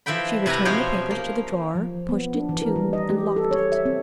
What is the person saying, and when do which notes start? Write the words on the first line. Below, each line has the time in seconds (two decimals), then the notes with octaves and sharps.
She returned the papers to the drawer, pushed it to and locked it.
0.06 E3 F3 E5 G5 B5
0.46 C3 E4 B4 G#5 A#5
0.65 B2 F3 C#4 C5 C#5 G5
1.11 A#3
1.75 F3
2.09 B3
2.34 D4
2.49 E3
2.62 A#4
2.76 G3
2.93 D#5
3.10 G4
3.36 A4
3.51 C#5
3.72 E5
3.85 C4